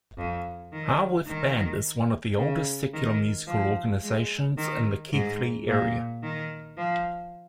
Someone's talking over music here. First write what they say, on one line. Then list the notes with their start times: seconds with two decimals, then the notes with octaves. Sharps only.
Haworth Band is one of the oldest secular musical organisations in the Keighley area.
0.17 F2
0.73 D#3
1.27 D#3
2.38 C#3
2.93 D#3
3.47 F3
4.03 G#3
4.57 D#3
5.13 G#2
5.68 A#2
6.23 D#3
6.77 F3